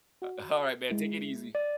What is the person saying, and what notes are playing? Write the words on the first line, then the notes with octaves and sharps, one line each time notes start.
Uh, alright, man, take it easy.
F#4
G#3 E4
D5